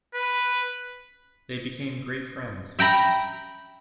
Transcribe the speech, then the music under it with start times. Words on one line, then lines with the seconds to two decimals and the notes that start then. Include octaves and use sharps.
They became great friends.
0.14 B4
2.79 E5 G5 A#5 B5